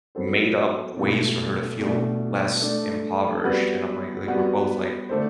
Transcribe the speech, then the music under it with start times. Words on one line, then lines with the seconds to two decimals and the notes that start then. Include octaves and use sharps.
made-up ways for her to feel less impoverished, and I'm, like like, we're both, like
0.15 F#3 B3 F#4 A4 C5
0.97 B2 A3 E4 A4
1.79 B2 A3 D4
2.62 A3 D4 A4
3.44 G3 B3 F#4 B4
4.26 G3 B3 F#4 B4
5.09 D3 A3 D4 A4 C5